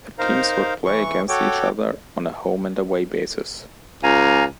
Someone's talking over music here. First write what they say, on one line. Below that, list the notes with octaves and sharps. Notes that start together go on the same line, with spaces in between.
The teams would play against each other on a home-and-away basis.
D#4 A#4 C5 F5 A#5
E3 C#6
F#4 A4 C#5 G5 D6
C#2 F5 G#5 A#5